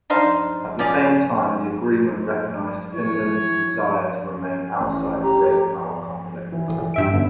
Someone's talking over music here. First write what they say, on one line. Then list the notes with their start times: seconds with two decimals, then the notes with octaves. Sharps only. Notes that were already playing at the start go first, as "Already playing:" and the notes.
At the same time, the agreement recognized Finland's desire to remain outside great-power conflicts.
0.10 D4 D#4 C5 F5
0.79 F3 C#4 G#4 D5
2.93 E3 C#5
4.80 A1
5.22 G4 A#5
6.52 E3
6.94 G2 E5 D7
7.11 F#2 D3 B3